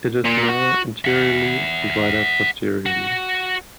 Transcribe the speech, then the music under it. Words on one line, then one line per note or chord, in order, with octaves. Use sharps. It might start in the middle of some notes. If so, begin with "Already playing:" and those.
It is narrow anteriorly and wider posteriorly.
A#2
F#4
E5 F#5
F#4